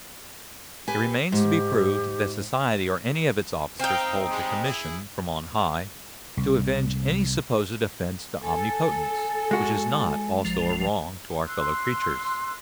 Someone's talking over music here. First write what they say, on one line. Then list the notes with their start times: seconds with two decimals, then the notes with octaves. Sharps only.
It remains to be proved that society or any of its officers holds a commission from on high to avenge any supposed offence to Omnipotence, which is not also a wrong to our fellow-creatures.
0.88 G4 B4 G#5
1.32 G#2 G4
3.80 C4 D#4 F5 G5
4.30 G3 G#3
4.65 E4 G#4
6.37 C2
8.44 A4 G#5
9.51 G#3 F#4
10.45 A#1 F3
11.47 C6 E6 F#6